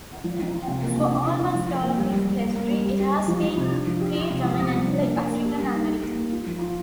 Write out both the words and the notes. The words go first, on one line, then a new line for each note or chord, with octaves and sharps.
For almost all of its history, it has been predominantly African-American.
F3
F3
F4
C3
A#3
C3
D4
F4
F4
F3
F3
A#3
G3
G3
G3
A#3
A#3
G3
G3
G4
G4
F3
F3
C3
D4
F3
G4
F4
C3
F3
C3
G3
D4
A#3
D4
A#3
G4
G3
D#4
G4
A#3
A#3
F4
F3
F4